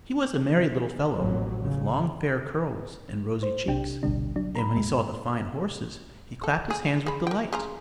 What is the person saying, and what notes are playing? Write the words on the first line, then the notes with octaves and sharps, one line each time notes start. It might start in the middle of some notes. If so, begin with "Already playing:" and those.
He was a merry little fellow, with long fair curls and rosy cheeks; and when he saw the fine horses he clapped his hands with delight.
A1 F2 A#2 F#3
C#3
C5
B1 C3 D4 G4 G5
A1 D2 B2 D3 G3 D4
F#3 D4
A#5 B5
D#2 G#2 G#3
A4
G#4
G#3 B5
A#4 G5
C#3 F4 A#5